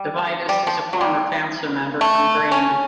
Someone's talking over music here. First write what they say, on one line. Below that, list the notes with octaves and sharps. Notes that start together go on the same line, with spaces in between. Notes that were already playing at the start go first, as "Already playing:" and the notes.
Devitis is a former Council member from Green.
Already playing: G3
G3
F3
F#3
G3
A3
C#4